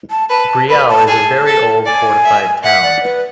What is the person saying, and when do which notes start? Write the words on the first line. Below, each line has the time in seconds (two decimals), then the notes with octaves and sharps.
Brielle is a very old, fortified town.
0.10 A5
0.29 B4 A5
0.69 B4 B5
0.88 A5
1.08 G#4 A5
1.46 A4
1.86 D5 G#5
2.25 E5
2.64 E5 F#5
2.83 D5
3.03 B4